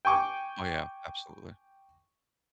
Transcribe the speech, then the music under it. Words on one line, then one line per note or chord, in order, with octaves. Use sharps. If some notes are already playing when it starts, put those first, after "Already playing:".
Oh yeah, absolutely.
G5 G#5 C#6 D6